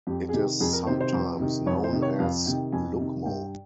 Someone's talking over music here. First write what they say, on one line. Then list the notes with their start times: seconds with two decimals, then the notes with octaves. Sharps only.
It is sometimes known as lucmo.
0.07 F2 G4
0.29 G#4
0.33 C3 D#3 G4
0.60 F2 G#4
0.73 A#4
0.87 C3 D#3 C5
1.00 C5
1.13 F2
1.39 C3 D#3
1.66 F2 C#5
1.84 C5
1.93 C3 D#3
2.02 C#5
2.19 F2 F5
2.46 C3 D#3 G5
2.72 F2 G#5
2.99 C3 D#3
3.26 G2 G5